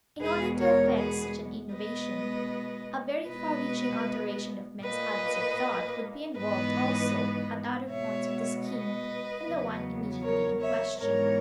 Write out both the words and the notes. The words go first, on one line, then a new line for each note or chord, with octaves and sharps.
In order to effect such an innovation a very far-reaching alteration of men's habits of thought would be involved also at other points of the scheme than the one immediately in question.
E2 B2 G#3 B3 G#4 B4
A#4 C#5
G#4 B4
B2 G#3 B3 B4 D#5
B2 G#3 B3 B4 D#5
A#2 A#3 B4 D#5
G#2 E3 G#3 B3 B4 D#5
B2 G#3 B3 C#5 E5
B4 D#5
E2 C#3 F#3 B3
A#4 C#5
C#5 E5
G#2 E3 G#3 B3 A#4 C#5